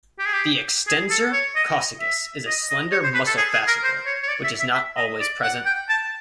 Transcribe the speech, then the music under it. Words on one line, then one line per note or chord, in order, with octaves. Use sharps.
The extensor coccygis is a slender muscle fascicle, which is not always present.
G4
G#4
G4
G#4
A4
C#5
D#5
E5
D#5
D#5
C#5
C5
B4
A4
G#4
G#4
A#4
C5
C#5
C#5
D5
E5
E5
E5
D#5
D5
F#5
G5
A5